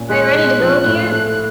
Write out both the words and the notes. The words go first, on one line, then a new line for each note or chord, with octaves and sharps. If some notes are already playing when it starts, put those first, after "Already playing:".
Are you ready to go, dear?
Already playing: A#2 C#4
G#3 F#6
G#3
F3
A2
A3